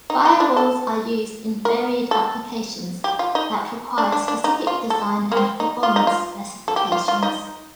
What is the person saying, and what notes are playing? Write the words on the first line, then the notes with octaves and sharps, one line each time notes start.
Firewalls are used in varied applications that require specific design and performance specifications.
D#4
D#4
D4
A4
A#4
A4
G4
F4
D#4
D4
D4
D4
D#4
F4
A4
A#3
C4
D#4
F4
D#4
F4
A4
G4
F4
F4
D#4